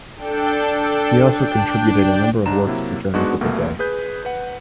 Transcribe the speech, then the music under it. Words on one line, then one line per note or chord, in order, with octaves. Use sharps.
He also contributed a number of works to journals of the day.
D4 A4 G5
D4 G5
G#2 D4 A#5 E7
C3 F#3 A#3 E4
G#2 G#3 B3 D4 F#4
C2 B2 A3 A#3
G#4 B4 G6
B4 F#5